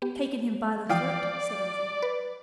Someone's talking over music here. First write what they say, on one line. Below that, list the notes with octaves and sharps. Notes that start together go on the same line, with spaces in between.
"Taken him by the throat," said Lizzie.
B3 G4
E3 F3 D5 F5 G5 D#6
B4